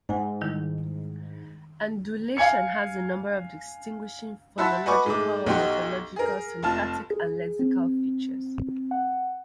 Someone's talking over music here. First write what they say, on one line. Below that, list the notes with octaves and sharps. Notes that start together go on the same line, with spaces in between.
Andalusian has a number of distinguishing phonological, morphological, syntactic and lexical features.
G#2 F#5 G#5
D#3 G3 E4
F5 G#5 G#6 C#7
E4 F#4 E5 A5 C6
F#4 B4 D#5 G#5 C#6 D6
G#2 G#3 A3 D6
B1 D#4 F#4 G4 C6
G#4 A#4
F1 F4 A5 F6
G#4
C4
F#5